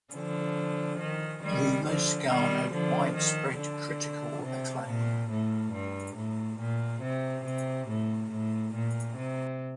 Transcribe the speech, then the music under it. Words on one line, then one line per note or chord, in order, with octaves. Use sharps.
"Rumours" garnered widespread critical acclaim.
D3 F3
D#3
D#3 G3
D3 F3
D#3 G3
D3 F3
D#3
D3
C3
A#2
A2
G2
A2
A#2
C3
C3
A2
A2
A#2
C3